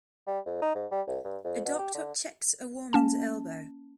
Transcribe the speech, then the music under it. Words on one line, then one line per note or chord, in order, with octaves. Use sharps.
A doctor checks a woman 's elbow.
G3
F2
D#4
G#2
G3
C2
G2
F2
B2
G4
D3
A#3 C#4 A5